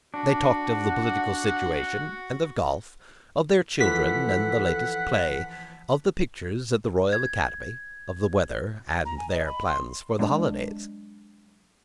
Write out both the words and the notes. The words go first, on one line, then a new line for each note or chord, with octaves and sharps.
They talked of the political situation and of golf, of their children and the latest play, of the pictures at the Royal Academy, of the weather and their plans for the holidays.
D4 F#4
F#5
E3 F3 A4 F#5 B6
G#6
A#5
G#5
D#5
B5
C6
F#3 G#3 D4